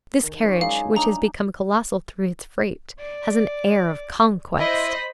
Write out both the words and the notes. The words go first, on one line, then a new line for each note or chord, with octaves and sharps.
This carriage which has become colossal through its freight, has an air of conquest.
D#3
F#2 C#5 D5
G#3 D#4 F5
D4 D#4 A#5
D5
E4 C5 D#5 B5